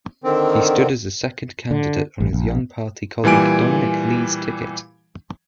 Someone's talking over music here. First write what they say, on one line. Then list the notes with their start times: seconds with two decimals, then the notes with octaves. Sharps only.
He stood as a second candidate on his young party colleague Dominic Lee's ticket.
0.24 D3 D#3 C4
1.71 D3
2.20 A1
2.33 A#1
3.24 A#2 E3 G3 G#5 D7